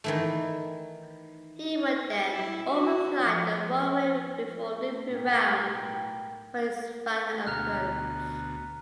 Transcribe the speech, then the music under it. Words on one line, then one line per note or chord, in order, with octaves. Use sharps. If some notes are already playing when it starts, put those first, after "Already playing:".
He would then overfly the runway before looping round for his final approach.
D#3 E3 A3
E4
F#4
F3
B1 A2 A#4 B4 G5
D2 B2 A#5 F6 F#6